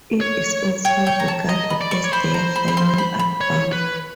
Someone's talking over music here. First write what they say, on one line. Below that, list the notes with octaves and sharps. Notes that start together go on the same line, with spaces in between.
It is also regarded as their final album.
C#5
C#5 G5
G5
A#5
A5
D#5 A#5
B5
D5
C#6
C#5
C5 B5
A#5
B5
B5
C6
B5
B5
C#5
B4